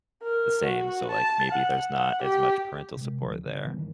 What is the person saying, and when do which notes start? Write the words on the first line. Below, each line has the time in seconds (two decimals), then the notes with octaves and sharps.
the same, so, like, maybe there's not as much parental support there
0.23 A#4
0.65 F#4
1.11 A5
1.51 F#5
1.92 F#5
2.22 G4
2.96 C3 G#3
3.22 A1 D2 F3
3.46 C#3
3.65 D#3 E3 G3 B3
3.78 G2 D#3